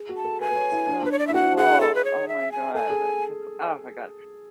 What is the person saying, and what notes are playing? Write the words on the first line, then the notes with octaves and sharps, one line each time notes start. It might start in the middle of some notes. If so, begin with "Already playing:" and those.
That's so cool, oh my god, 'cause oh my god.
Already playing: G#4
F#4
A5
A4
B4 G#5
B4
C#5
E4
D4
D4 B4
C#5
D5
E4 E5
F#4 F#5
G#4 F#5
A4
B4
C#5
E5
G#5
A4 G#5
G#4